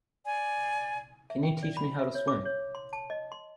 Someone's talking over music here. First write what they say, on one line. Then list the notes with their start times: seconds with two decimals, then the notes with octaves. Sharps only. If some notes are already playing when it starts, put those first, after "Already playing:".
Can you teach me how to swim?
0.25 D5 G#5
1.30 E5
1.43 G5
1.63 D5
1.77 B5
1.99 E5
2.15 C#5
2.28 D6
2.45 C#5
2.75 C6
2.93 A5
3.10 D#5
3.32 C6